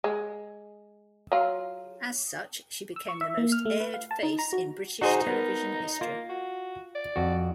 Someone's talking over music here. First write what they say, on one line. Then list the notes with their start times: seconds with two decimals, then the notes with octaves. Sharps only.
As such she became the most aired face in British television history.
0.04 G#3
1.32 F#3 F4
2.96 E6
3.08 C#6
3.21 E5
3.37 A#3
3.52 F6
3.65 A3
3.80 B4
3.94 F5
4.11 A5
4.23 D#4
4.39 A#5
4.53 F#4
5.02 D#4 F#4 G#4 C5
5.27 B3 A#4
6.01 A#3 F4
6.29 F#4
6.95 D5
7.16 F2 F#4